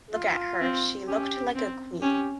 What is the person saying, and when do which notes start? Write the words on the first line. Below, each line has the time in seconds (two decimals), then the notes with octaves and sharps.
Look at her. She looked like a queen.
0.14 F4
0.61 C4
1.07 C#4 G4
1.55 C4
2.01 C#4 G4